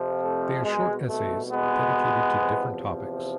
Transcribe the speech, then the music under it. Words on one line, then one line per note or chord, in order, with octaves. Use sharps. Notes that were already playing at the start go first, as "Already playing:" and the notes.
They are short essays dedicated to different topics.
Already playing: F2 C3 F3
A3
C2 B2 G#3
A3
G#3 B3
E2 C3 F3